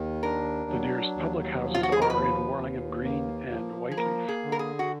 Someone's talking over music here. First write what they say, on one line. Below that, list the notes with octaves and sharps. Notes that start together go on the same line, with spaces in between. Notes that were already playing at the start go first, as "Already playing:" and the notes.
The nearest public houses are in Warlingham Green and Whyteleafe.
Already playing: D#2 D#3
D4 A#4
F#3
D#2
F3
F4
F#4
G#4
A#4
D#2 B4
D#2
A#3
F3
G#4
A#3 A#4
G#4
D3
A#4
G#4
F#4